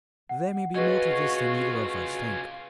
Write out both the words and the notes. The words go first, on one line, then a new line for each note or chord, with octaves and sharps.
There may be more to this than either of us think.
F#5
C#4 F4 F#4 G#4 B4 D#5